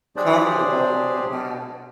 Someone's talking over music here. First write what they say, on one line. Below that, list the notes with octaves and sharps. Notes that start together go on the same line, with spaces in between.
comfortable about,
F#3 D4 G4 G#4 C5 D5